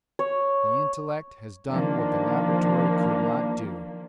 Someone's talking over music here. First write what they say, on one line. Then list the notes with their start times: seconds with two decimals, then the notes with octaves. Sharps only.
The intellect has done what the laboratory could not do!
0.19 C#5
1.68 D#3 F3 A#3 D4